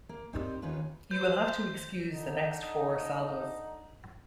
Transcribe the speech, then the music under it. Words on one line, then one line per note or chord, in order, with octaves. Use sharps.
You will have to excuse the next four salvos.
A#3
C4 D#4 G4 A#4 C5 D5
D#2 D#3 C#4 F4 B4
C5 G6
D3 D#4